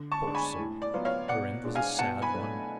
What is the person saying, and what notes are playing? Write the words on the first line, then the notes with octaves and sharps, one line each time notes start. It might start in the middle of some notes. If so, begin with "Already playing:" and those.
Poor soul! her end was a sad one.
Already playing: D3
A5 C#6
G#3 D4
G#5 B5
A2
D5
F#3 B3 F4
C#5 F5
B2 D5 F#5
G#3 D4
F5 G#5
B2 F#5 A5
G#5 B5
F#3 A3 D4